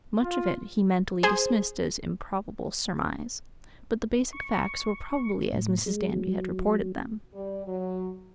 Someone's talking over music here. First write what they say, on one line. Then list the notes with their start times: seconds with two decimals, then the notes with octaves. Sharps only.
Much of it he mentally dismissed as improbable surmise, but the basic facts were probably as Mrs. Danby had reported them.
0.21 F4
1.23 G#4 C5
4.33 C#6
5.53 A2
5.86 G#3
6.12 F#3
7.34 G3
7.66 F#3